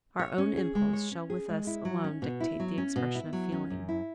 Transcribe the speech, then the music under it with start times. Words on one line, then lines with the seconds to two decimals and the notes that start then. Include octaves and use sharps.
Our own impulse shall with us alone dictate the expression of feeling.
0.19 C#5
0.38 C#4
0.57 G#4
0.75 G#3
0.93 C#5
1.11 C#4
1.30 G#4
1.49 G#3
1.67 E4
1.85 F#3
2.04 C#4
2.22 B2
2.40 E4
2.60 F#3
2.78 C#4
2.96 B2
3.15 E4
3.33 F#3
3.52 C#4
3.70 F#2
3.89 E4